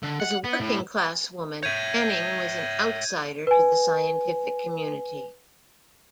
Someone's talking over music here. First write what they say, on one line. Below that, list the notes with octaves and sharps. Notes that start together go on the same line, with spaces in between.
As a working-class woman, Anning was an outsider to the scientific community.
D3
F#5
B3
A2
C#5 E5 G6 G#6 D#7
B4 G#5